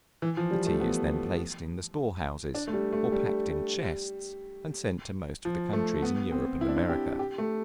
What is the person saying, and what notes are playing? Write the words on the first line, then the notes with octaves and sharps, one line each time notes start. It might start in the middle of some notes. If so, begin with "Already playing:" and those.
The tea is then placed in the store-houses, or packed in chests, and sent to most of the countries in Europe and America.
E3
F3
G3
A3
B3
D4
A3
G3
A3
G3
F3
A3
B3
C4
E4
D4
E4
G4
G4
A3